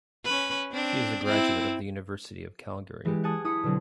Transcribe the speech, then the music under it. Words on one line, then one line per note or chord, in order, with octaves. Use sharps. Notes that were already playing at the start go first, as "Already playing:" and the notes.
She is a graduate of the University of Calgary.
C#4 B4
C4 D4
C4 E4
E3 G#3 G4
F#5 G#5 A5 D#6
E4 D#6 C#7
B2 D3 F#3 C4